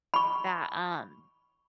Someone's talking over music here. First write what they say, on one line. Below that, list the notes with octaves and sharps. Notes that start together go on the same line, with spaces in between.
that, um
B5 C#6